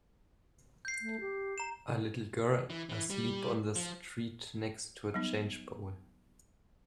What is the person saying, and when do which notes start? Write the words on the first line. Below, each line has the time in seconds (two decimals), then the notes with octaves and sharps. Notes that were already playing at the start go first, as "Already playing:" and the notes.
A little girl asleep on the street next to a change bowl.
0.85 G6 C7
1.02 A3
1.20 G4
1.58 A#5 E7
2.70 E3
2.89 E3
3.10 G3
3.76 F3
5.14 F#3 G3 B3 D#4